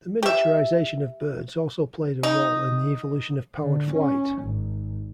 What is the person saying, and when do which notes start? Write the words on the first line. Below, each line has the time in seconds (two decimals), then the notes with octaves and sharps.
The miniaturization of birds also played a role in the evolution of powered flight.
0.23 G4 E5
2.23 D#4
3.60 D3
3.91 C#4
4.43 G#1